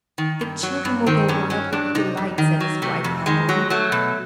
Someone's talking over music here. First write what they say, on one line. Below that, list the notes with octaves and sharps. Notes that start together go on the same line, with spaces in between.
"The children will go wild with delight," said his wife happily.
D#3
G2
F#3
G2
D#3 C4
G2 C#4
F#3 C#4
G2 D4
C3 D#4
F2
D#3
F#3
C3 A3
F2
D#3 G#3
F#3
F#3 A3
B2